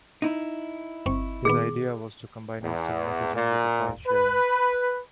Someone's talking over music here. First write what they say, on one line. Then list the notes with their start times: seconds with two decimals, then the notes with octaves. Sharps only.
His idea was to combine instant messaging with file sharing.
0.22 D#4 E4
1.06 G1 C4 C#6
1.45 A#2 D#3 B3 G#4
2.63 E2
3.34 A#2
4.06 B4